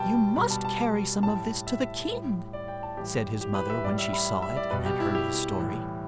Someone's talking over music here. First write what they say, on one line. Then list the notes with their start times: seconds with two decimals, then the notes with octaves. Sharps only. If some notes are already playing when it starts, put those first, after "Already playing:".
"You must carry some of this to the king," said his mother when she saw it and had heard his story.
Already playing: B2 G3 G5 A5
0.36 B2 G3 B5
0.51 A5
0.65 A5
1.23 A2 G3 A5
1.67 E5
2.10 A2 G3
2.53 D5
2.68 G5
2.83 A5
2.97 A2 E3 G3 G4
3.41 G4
3.55 B4
3.70 E5
3.84 A2 D5
3.88 G3
3.98 E5
4.13 B5
4.42 E5
4.57 D5
4.71 B2 G3 B4
4.86 G4
5.00 E4
5.15 G4
5.58 A2 E3 G3